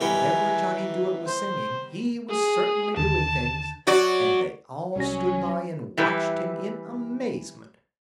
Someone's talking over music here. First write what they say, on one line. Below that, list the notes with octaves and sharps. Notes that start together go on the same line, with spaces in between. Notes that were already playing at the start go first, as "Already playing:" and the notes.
Whatever Johnny Dooit was singing he was certainly doing things, and they all stood by and watched him in amazement.
D#3 E3 G3 B3 G#5
C5
G#4
D#2 D3 A5
F#3 F#4 D5
C2 F#3 C#4 A#6
E3 G3 E4 B4